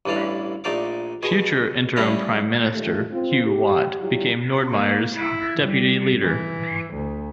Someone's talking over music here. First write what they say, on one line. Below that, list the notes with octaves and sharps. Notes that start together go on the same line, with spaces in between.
Future interim Prime Minister, Hugh Watt became Nordmeyer's deputy leader.
A1 G2 E3 D4 F5
A#1 A3 D#4 D5 F5 D6
B2 G#4
G3 A3 C#4 E4 D#5 F5
D#3 G3 A3 F4 G4
C4 F4
G4
F#3 G3 E4 F4 G4
A#3
E4
G3
E3
D2